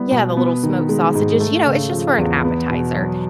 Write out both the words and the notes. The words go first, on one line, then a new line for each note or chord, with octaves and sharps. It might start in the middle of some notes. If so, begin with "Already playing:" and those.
Yeah, the little smoked sausages, you know, it's just for an appetizer.
Already playing: G3 B3 E4
B2
B3
D#3
G#3
G#2
A3
C#3
F3
E2
B3
B2
F#3